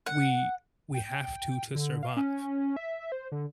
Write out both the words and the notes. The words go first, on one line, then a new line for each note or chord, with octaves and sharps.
we we have to to survive.
F#5
G5
D3
F5
C#4
E5
C5
D3